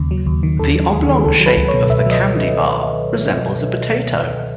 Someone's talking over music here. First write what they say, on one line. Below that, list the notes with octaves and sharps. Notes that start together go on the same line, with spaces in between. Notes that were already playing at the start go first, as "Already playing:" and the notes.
The oblong shape of the candy bar resembles a potato.
Already playing: D#2 C#3
F#3
D#2
D#3
D#2 A4
F#3
D#2 G#4
D#3
G#4
C#2 A4
F#3
B4
C#2
C#5
B2
C#2 E5
F#3 D#5